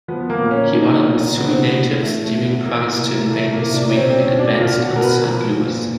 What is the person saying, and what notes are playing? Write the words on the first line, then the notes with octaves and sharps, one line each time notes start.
He ordered Missouri-native Sterling Price to invade Missouri and advance on Saint Louis.
F3 B3
A#3
A#2
C#4
F3 D#4
A#2
E3 B3
C4
B3
A2
E3 A3
A3
A2
B3
E3 A#3
C3
E3 A3
A3
A#3
C3
D4
C#4
B2 C4
C4
C#4
B2
D4
B2 F4
F#4
B2 A#4
B4
F3
A#2